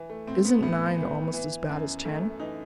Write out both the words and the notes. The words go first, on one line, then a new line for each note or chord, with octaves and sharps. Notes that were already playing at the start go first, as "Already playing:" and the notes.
Isn't nine almost as bad as ten?
Already playing: E3
A3
A2 C4
B3
A2 B3
E3
E3
F#2
F#2 A3
E3 D#4